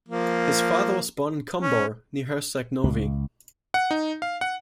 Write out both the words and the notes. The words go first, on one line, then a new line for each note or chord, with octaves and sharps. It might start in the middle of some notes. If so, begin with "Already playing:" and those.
His father was born in Kumbor, near Herceg Novi.
F3 A#3
C#4
C#2
F#5
D#4
F5
F#5